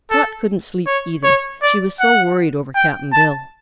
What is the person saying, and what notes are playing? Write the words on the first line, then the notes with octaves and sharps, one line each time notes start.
Trot couldn't sleep, either, she was so worried over Cap'n Bill.
A4
C#5
C#5
D5
F#5
G5
A5